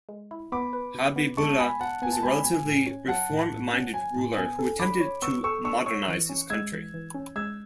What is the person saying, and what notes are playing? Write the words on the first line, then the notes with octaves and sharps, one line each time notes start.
Habibullah was a relatively reform-minded ruler who attempted to modernize his country.
G#3
E4
B3 B5 D6
B4
B2
B3
G#3 A5 C#6
B2 G#5 B5
B2 F#5 A5
B3 G#5
A5
G#3 G#5 B5
B2 G#5
A2
C#4
F#3 F#5 A5
A2
A2
C#4
F#3 G#5
A2
B3 G#5
A4
D4 B5 D6
C#5
B3 C#6 E6
A4 C#6 E6
D4 C#6 E6
C#5 C#6 E6
E3
C#4
G#3 E6 G#6
E3
E3
C#4
G#3 E6 G#6